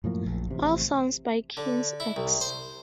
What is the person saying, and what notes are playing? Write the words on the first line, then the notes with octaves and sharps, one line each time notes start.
All songs by King's X.
F#2 A2 F3 A#3
A#1
A1 C3
D3
E4
C2
C5